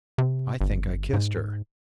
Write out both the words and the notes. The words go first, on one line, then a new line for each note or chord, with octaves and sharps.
I think I kissed her.
C3
G1
G#2